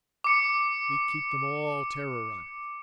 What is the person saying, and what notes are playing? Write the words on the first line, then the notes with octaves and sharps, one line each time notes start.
We keep them all terrorized.
D6 C#7